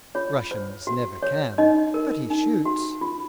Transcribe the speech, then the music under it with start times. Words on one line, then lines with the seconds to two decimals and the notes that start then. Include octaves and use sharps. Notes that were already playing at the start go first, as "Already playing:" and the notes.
"Russians never can; but he shoots."
0.15 F4 C#5
0.51 C5
0.87 F#4
1.23 C#5
1.58 D#4 D#5
1.94 A#4
2.30 D#4
2.65 F#4
3.01 F4